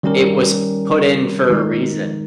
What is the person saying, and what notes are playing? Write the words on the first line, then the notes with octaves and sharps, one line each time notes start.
it was put in for a reason.
D#3 G3 C#4 G4 A#4
D#3 G#3 D#4